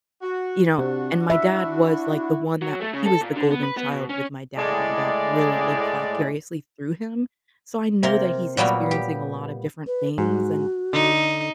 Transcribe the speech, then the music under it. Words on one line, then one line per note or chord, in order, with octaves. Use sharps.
you know and my dad was, like, the one that he was the golden child with my dad. My dad really lived vicariously through him, so I know that he's experiencing a lot of different things, and
F#4
C3 D4 F#4
E4 E5
F#3
A3
C#3
A4
A#2
D3
B3
B4
B3
B2
C#4
A2 G#3 D5
C3 A#3 A#4 C6
A#2 F#3 G3 A#3 B3
G4
B4
G#2 F#4
D3 D#4